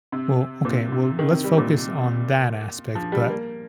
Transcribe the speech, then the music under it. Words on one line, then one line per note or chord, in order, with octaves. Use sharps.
Well, okay. Well, let's focus on that aspect, but
C3
A#2
C3
D#3
C3
G3
A#2
F3
G3
A#3